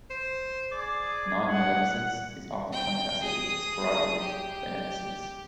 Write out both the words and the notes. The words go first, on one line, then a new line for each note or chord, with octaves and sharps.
Non-maleficence is often contrasted with its corollary, beneficence.
C5
G#4 D5
E3 F#5
G5
G#4 D#6
G4